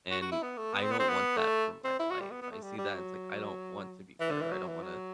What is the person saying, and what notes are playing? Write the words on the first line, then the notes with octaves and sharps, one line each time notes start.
and I don't want that for my life, I see that and it's like, I don't want to be bitter. I don't wanna
F#4
F#4
E4
B3
A3
B3
C4
B3
C4
B3
A3
C4
E4
F#4
G3
B3
B3
A3
G3
G3
F#3
E3
D3
E3
F#3
E3
F#3